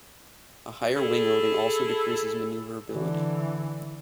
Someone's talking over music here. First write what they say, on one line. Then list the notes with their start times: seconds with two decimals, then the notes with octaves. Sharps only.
A higher wing loading also decreases maneuverability.
0.96 E4 G#4 A4
2.91 D3 E3